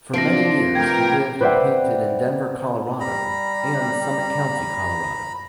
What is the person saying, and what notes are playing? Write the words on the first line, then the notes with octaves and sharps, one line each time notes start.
For many years he lived and painted in Denver, Colorado and Summit County, Colorado.
C3 F3 D4 F4 A#6 C7 D7
A3 A#4 B4 G5 G#6 C7
B4 C5 D5 E5 F#5 G5
G3 A#5 B5